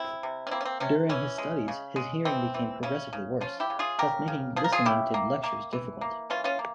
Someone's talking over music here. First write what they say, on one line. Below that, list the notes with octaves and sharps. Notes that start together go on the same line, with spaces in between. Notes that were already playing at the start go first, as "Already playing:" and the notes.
During his studies, his hearing became progressively worse, thus making listening to lectures difficult.
Already playing: C4 E4
C3
C#4
A#3 C4 E4
C#4
C4
C3 C#4
E3 C#4
G#3
C#3
G#3
E3 C4
E3
C#3 C#4
C#3
F3 C#4 F4
E4 G4
C#3
F4 G#4
C#3 G4 A#4
C#3
F3 G#4
A#4
F4 G#4
C#3 E4 G4
A#3
A#3
E3
A#3
E3 C#4 F4
C#4 F4
A#3